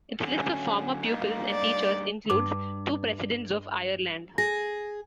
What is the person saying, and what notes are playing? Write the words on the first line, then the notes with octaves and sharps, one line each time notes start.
Its list of former pupils and teachers includes two Presidents of Ireland.
D3 F#3 C#4
G2 A#3 D#4
D5
G2 D6
G#4 A#6